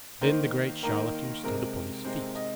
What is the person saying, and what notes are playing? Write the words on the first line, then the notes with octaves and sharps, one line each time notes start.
Then the great charlatan stood upon his feet.
D#3 A#3 D#4 C5
D#3 A#3 D#4 A#4
C3 G#3 C4 A#4
C3 G#3 C4 C5
D#5